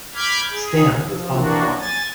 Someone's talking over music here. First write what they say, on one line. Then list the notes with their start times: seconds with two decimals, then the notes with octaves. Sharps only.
Stand with Hong Kong.
0.14 B5 D6 F6 G6 G#6
0.50 G#4
1.01 F3
1.32 E3 A#3 D4 F#4
1.79 G#5 A6